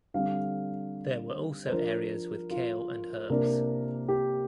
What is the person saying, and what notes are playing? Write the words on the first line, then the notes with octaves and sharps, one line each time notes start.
There were also areas with kale and herbs.
D3 G3 C4 F5
C5
F3 D4 A#4
F4
C3 A#3 D4 A#4
G4